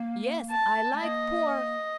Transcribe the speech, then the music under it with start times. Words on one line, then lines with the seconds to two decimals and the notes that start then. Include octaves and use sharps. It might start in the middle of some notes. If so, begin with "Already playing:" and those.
Yes, I like Por ...
Already playing: A#3
0.50 A5
0.92 A3
1.02 A#3 D#5